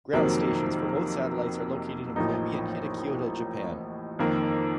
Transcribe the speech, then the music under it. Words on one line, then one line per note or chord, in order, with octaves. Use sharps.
Ground stations for both satellites are located in Kobe and Hitachiota, Japan.
F2 C3 D#3 F#3 A#3
A1 A2 F3 A#3 D#4
F2 D#3 A#3